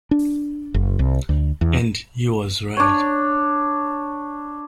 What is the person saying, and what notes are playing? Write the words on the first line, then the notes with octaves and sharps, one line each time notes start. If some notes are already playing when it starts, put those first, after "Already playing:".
And he was right.
D4
F#1
C2
D2
E2
D4 C#5